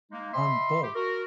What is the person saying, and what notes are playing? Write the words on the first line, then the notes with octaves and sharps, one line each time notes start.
Um, both.
G#3 A#3 D#4
D#5 E5 B5 C6
G4
F#4 A#4